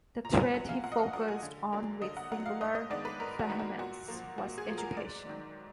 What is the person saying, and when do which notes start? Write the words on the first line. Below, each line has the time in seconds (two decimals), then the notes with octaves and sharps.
The thread he focused on with singular vehemence was education.
0.25 A#2 A#5
0.39 G#5
0.54 F#3 D4 F#5
0.69 F5
0.84 A#2 F#5
0.92 D#5
0.99 F5
1.13 F#3 D4 F#5
1.28 G#5
1.42 D3
1.72 F#3 A#3 D4
2.01 D3 D#5
2.17 F#5
2.31 F#3 A#3 D4 F#5
2.46 F5
2.61 G#2 D#5
2.75 D#5
2.90 D#3 G#3 B3 D4 D5
3.05 B4
3.20 G#2 A#4
3.39 F#4
3.49 D#3 G#3 B3 D4
3.59 F#4
3.79 A#2 F#4
4.08 F3 A#3
4.38 A#2 F#4
4.58 G#4
4.68 F3 A#3
4.78 A#4
4.97 G#2 D5
5.27 D#3 F#3